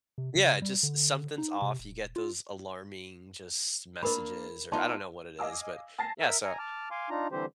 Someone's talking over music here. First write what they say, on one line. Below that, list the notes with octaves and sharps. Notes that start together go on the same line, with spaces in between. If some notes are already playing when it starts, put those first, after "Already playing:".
Yeah, just something's off. You get those alarming, just messages, or I don't know what it is. But, yeah, so
C3
C#3
G3
D3
D#4
C3
D#1
F4
A#3 D4 A#4 D5 B5
B3 D#4 F4 D5 A5 C6
D#5 F5 G#5 D6 E6
G#5 A5 A6 A#6 C7
A#4 E5
G#5 A#5
A5 D6 F6
F5 G#5 C6 D6
D4 D#4 F4 A#5
D3 E3 G3 C4 G4 C5